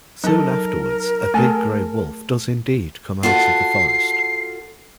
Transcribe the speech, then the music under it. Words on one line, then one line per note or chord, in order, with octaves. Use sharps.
Soon afterwards "a big, grey wolf" does indeed come out of the forest.
F#3 D#4 A4 A#4
A3 G#4 A4 G#5
F4 F#4 A4 C7